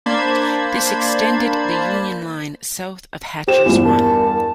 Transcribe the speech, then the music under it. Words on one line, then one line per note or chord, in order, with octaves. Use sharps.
This extended the Union line south of Hatcher's Run.
A#3 D4 C5 A5 B5 G#6
G4 C5 E7
E2 G2 F4
A#4 A5